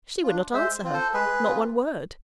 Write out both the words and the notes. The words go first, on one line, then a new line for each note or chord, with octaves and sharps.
She would not answer her--not one word.
D4 F4
G#3 C5 E5
C4 F4
A4 C5
G#3 G#4 B4
C4 F4